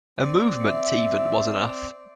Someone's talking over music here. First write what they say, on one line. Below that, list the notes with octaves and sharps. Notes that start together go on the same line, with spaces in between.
A movement even was enough.
C4 D5
E5